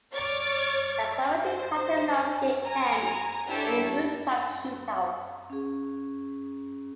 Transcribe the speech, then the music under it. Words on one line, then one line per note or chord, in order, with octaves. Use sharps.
A climactic cat-and-mouse game ends in a rooftop shootout.
C#5 D5 C#6 D6 F6 A6
C5
G#5 A#5
D4 E4 G4 A4 C#5
C#4 G#4